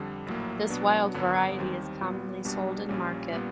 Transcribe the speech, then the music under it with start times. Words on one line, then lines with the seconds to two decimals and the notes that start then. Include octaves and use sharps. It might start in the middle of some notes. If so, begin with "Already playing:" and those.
This wild variety is commonly sold in market.
Already playing: F2 D3 G3
0.27 A#1 A2 F#3 A#3
0.70 B2 F#3 B3 D4
1.14 G#1 F#2 D3 F#3 B3
1.58 D#2 D#3 G3 C4
2.01 A#2 G3 B3
2.45 B1 B2 G3 A#3 D4
2.88 A#1 A#2 G3 A#3 C#4
3.32 A#2 G3 B3